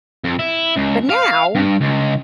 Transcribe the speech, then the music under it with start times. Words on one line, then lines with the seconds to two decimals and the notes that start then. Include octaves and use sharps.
but now,
0.24 F2
0.39 E4
0.77 C#2
1.10 F5
1.56 G2
1.81 C#2